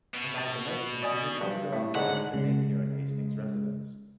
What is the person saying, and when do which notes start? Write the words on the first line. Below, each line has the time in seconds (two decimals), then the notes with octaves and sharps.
Amalgamation is an ongoing debate for Napier and Hastings residents.
0.14 B2
0.38 A5
1.02 D5 D#5 G#5
1.41 G2
1.73 A2
1.95 G#2 D3 F#5
2.34 C#3 G#3